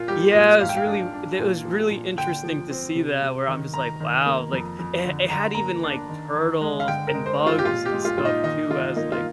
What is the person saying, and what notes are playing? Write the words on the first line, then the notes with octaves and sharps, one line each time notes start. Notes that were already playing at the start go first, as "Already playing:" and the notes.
Yeah, it was really w they it was really interesting to see that where I'm just like, "Wow," like, it it had even, like, turtles and bugs and stuff too as, like
Already playing: A#2 A#3 F4
G3 G4
A#2
G#2 F5
G5
F5
D4
D4
A#2
F3
A#2
D3 G5
F3
C4
C3
C3
D#3
D#3 A#5
D#3
A#3
F2
F2
D3
D3 A#5
A#3 A#5
D4
D#3
D#3
G#3
F5
D3 G5
A#4
G#3
C5
G#3
F4
G4
A#2 F4
G4
G#3
F4
A#2 F4
D#4
D#3 D#4
D#3 F4
A#3 D#4
F4